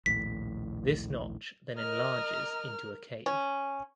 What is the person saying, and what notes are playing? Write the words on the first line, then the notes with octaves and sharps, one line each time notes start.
This notch then enlarges into a cave.
A#1 D#2 A2 B6
A#4 D#5 F6
C#4